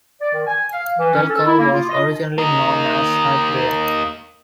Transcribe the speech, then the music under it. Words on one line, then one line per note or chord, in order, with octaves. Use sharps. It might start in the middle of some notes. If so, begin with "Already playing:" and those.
TelCove was originally known as Hyperion.
D5
D#3
G#5
F5
E3
C#4
A4
E4
A#3
F4
D#5
A#3 D#4